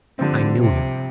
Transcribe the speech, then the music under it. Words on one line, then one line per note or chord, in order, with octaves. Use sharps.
I knew him.
G2 D3 F3 C4
C3